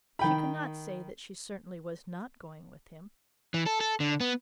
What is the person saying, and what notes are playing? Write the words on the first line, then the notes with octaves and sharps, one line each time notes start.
She could not say that she certainly was not going with him.
D#3 G5 B5
E3
A4
A4
D3
B3